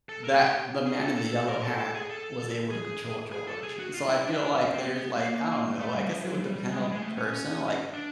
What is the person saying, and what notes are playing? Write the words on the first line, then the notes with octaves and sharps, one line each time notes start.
that the man in the yellow hat was able to control George, so, I feel, like, there's, like I don't know, I guess it would depend on the person, like,
A4
A#4
G#4
G4
G#4
A4
A4
A4
A#4
A4
A4
G#4
A4
G#4
G#4
A4
G#4
F#4
F4
E4
D4
C#4
C4
B3
A#3
A3
G3
F3
F#3
G3
G3
G#3
G3
G#3
A3
C#4
D4